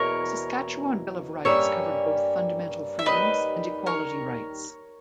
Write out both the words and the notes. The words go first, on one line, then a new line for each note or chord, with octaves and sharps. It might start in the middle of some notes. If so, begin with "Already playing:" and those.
The Saskatchewan Bill of Rights covered both fundamental freedoms and equality rights.
Already playing: E2 B2 A#3 C#4 E4 A#4 C#5
G2 G3 A#3 C#4 C#5 E5
E5
D#2 D#3 G3 C#4 B4 D#5
A#4 C#5